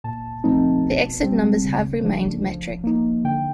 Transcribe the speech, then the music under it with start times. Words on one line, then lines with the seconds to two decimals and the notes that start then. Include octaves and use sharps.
The exit numbers have remained metric.
0.04 A#2 A5
0.44 F3 A3 C4 D#4
0.84 B2
1.23 G3 C4
1.65 C#3
2.04 F3 A3 D4
2.45 F3
2.84 A#3 D#4
3.24 D3 G5